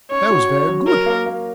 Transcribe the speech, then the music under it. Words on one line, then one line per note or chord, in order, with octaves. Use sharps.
That was very good!
C#4 C#5
F#4
C#4
F#3
F#3 A#4
A#3
A#3